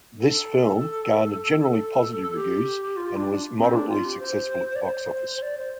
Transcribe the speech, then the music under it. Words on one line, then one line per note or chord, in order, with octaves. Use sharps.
This film garnered generally positive reviews and was moderately successful at the box office.
A4
A4
G4
F4
D4
C4
D4
F4
G4
C5
D5
C5
D5
C5